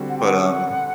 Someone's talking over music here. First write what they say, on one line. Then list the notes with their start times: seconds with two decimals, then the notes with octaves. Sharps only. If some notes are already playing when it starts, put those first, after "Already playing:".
but, um.
Already playing: D3 G3 C4 F#4
0.09 F#5
0.18 G5
0.25 F#5